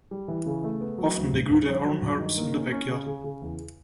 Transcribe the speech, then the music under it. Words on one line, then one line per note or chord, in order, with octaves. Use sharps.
Often they grew their own herbs in the backyard.
G3
E3
C#3
A3
B3
F#3
D2
G2
G2
F3
F#3
G2
D#3
A#3
C#4
C#4
C#3
C#3
C#3
E2